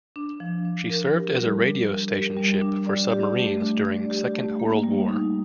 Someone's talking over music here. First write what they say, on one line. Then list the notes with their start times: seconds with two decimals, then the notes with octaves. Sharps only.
She served as a radio-station ship for submarines during Second World War.
0.16 D4
0.40 F3
0.65 D4
0.90 A#4
1.15 G4
1.39 G3
1.64 D4
1.88 A#4
2.13 G4
2.37 G3
2.61 D4
2.86 D5
3.12 G4
3.36 A3
3.60 D4
3.85 D5
4.10 G4
4.34 A3
4.60 A#3
4.83 G3
5.09 D#4